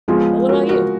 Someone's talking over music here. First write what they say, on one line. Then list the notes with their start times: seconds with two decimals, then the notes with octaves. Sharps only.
but what about you?
0.08 F3 G#3 B3 F4 G#4
0.49 F#4 A#4
0.69 F#4 A#4